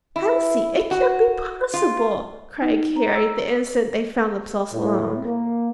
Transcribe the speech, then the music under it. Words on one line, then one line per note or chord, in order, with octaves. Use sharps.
"Elsie, it can't be possible!" cried Carrie, the instant they found themselves alone.
E4
F#4
F4
D#4
A#5
E6
A2
A#3